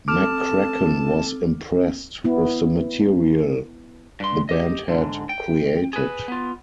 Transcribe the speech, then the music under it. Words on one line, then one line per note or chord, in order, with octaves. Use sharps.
McCracken was impressed with the material the band had created.
C4 A4 A5 D6 F6
B3 E4
G2 C6
G4 D#5
G#2 D3
G5
G#4 B4
B3 F4